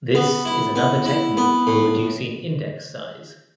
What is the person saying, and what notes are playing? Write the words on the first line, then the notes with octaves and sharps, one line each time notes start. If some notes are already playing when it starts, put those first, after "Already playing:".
This is another technique for reducing index size.
B3
E4
B3
E4
B3
A2